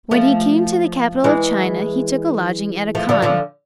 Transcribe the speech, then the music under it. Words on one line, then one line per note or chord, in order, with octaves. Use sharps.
When he came to the capital of China, he took a lodging at a khan.
F3 A3
E3 G#3
F3 A3
D3 F3
D3 F3